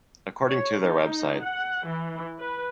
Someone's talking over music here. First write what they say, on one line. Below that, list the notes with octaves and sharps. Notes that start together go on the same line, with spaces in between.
According to their website.
C#5
D#4
F#5
E3
B4